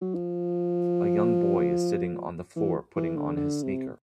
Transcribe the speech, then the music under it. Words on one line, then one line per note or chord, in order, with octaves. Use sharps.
A young boy is sitting on the floor putting on his sneaker.
F#3
F3
E3
E3
D3
D3
C3